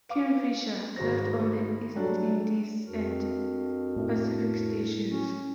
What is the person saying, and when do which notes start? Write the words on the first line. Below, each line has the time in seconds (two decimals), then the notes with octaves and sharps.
"Kingfisher" served on the East Indies and Pacific Stations.
0.09 B4 F5 D6
0.96 G#1 G#3 F#4 C5 A#6
1.95 F#3 G3 A3 D4
2.87 F2 D4 F#4 A#4
3.96 A2
5.08 C#4